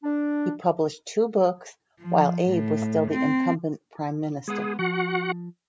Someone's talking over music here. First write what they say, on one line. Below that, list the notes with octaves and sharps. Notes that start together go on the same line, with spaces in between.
He published two books while Abe was still the incumbent prime minister.
D4
F3
A2
C4
G#3 B3 G#4 F#5
F3 F#4 F#5